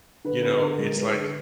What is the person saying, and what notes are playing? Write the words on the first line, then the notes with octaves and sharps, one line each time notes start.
you know, it's, like,
D3 B4
B3 B4
D3 A#4
G#3 A#4
G#3 B4
D3